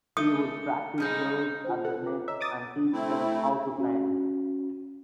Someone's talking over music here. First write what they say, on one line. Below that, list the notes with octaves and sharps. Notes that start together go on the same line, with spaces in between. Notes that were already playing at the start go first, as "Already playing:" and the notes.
She would practice girls at the nets and teach them how to fence.
A3 A#3 D#4 D#6 C#7 G7
G3 G#3 C4 D#4 G#4 F6 G6
F4 C5
A4 F#5
F4 B4 D6
C#5 D#5 E5 A#5
D6 D#6 A6
A3 C4 E4
C#4 F#4